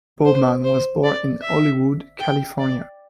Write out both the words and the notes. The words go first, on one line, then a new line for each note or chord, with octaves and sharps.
Bowman was born in Hollywood, California.
C5
C5
D5
E5
G5
D5